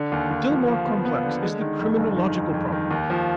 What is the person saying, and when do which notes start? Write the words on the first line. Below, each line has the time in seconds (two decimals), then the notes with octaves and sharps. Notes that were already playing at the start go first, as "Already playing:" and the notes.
Still more complex is the criminological problem.
Already playing: D3
0.12 D#2
0.31 D#2
0.49 F3
0.68 F3
0.87 B3
1.05 B3
1.24 D3
1.42 G#3
1.61 D#3
1.79 F2
1.98 G1
2.16 D#3
2.35 F2
2.54 F2
2.72 D#3
2.91 D#2
3.10 F3